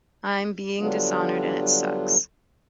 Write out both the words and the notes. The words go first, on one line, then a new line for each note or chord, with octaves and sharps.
I'm being dishonored, and it sucks.
D3 F#3 G3 B3 D4 F4